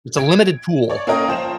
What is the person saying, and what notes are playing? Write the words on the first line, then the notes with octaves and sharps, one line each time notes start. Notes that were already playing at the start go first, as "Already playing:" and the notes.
It's a limited pool.
G#6 D7
C#5 D5 C#6
A#3 C#4 F4 A#4 D#5 G5
F3 C5 G5 E7